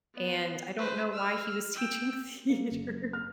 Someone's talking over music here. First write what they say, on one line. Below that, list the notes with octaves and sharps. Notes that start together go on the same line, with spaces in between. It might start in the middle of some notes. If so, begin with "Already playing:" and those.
and I don't know why he was teaching theater.
B3
B4 C5
E6 F6
G5 E6
A#3
F#1
F6